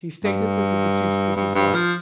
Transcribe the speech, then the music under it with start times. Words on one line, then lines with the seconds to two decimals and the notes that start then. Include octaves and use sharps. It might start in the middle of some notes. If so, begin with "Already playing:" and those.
He stated that the deceased was his wife.
0.24 G2
1.36 G2
1.55 G2
1.74 F3